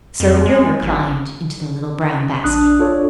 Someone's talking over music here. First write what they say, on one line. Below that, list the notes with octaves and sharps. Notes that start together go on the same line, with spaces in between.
So the river climbed into the little brown basket.
F2
G#3
G#1
A#1 D4 D#6 F#6
D4 F4 A4 C#5